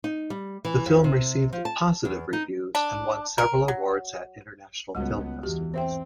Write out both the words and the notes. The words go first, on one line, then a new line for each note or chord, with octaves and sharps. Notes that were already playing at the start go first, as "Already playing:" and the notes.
The film received positive reviews and won several awards at international film festivals.
D#4
G3
E3
F2
C3
F3
A5
E2
D#4
D4
A#4
F#3
C#2 G3 G#3 B3 F#4
E2 F#4 G4
C4 C5 E5 G5